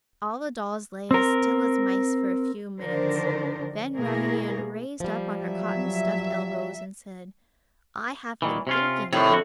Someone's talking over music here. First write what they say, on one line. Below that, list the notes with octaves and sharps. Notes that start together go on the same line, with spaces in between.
All the dolls lay as still as mice for a few minutes, then Raggedy Ann raised up on her cotton-stuffed elbows and said: "I have been thinking!"
C4 A#4
D3 D#3 F3 D4 A#4 C5
B2 A3 A#3 E4 G#4 A#4
F3 G3
F#3 E5
A#2 D#3 E3
C3 C#4 F4
A2 C3 D#3 D4
F2 D3 F#4